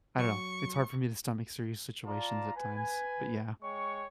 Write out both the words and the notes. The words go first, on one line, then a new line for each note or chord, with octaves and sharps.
I don't know. It's hard for me to stomach serious situations at times. But, yeah
F#3 C#6
F4 D5 A5 A#5
B4 G#5
G#3 C#5 G5 C#6